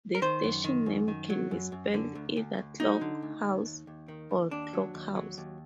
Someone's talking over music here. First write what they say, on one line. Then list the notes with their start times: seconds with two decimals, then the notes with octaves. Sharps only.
The station name can be spelt either Clock House or Clockhouse.
0.15 A#4
0.22 D#3 C5
0.43 F#2
0.64 D#3
0.86 F#2
1.08 D#3
1.30 F#3
1.51 F#2
1.72 F#2
1.94 D3
2.15 D2
2.36 D2
2.58 D2
2.80 F#3 D#4
3.01 D3
3.23 D2
3.44 D2
3.66 D#2
3.87 D#2
4.08 D#3
4.31 D#2
4.51 D#2 D4
4.74 F#3
4.94 D#2
5.16 F#3
5.38 D#2